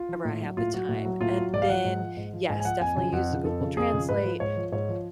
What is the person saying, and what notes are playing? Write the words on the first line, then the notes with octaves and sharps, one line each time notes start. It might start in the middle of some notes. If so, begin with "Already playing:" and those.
I have the time and then yes, definitely use the Google Translate.
Already playing: F4
F3
A2
F#3
A2 F4
F#3 F#4
A2
F#3
A2 F4
F#3
G#2 D5
F5
F3 F#5
G#2
F3
G#2
F3
G#2 G#5
G#5
F3 F#5
F2 G#5
C#3 F3 G#5
F2 F#5
C#3 F3
F2 A4
C#3 F3
F2 G#4
C#3 F3
G#2 B4
F3
G#2 C#5
F3
G#2 C#5
F3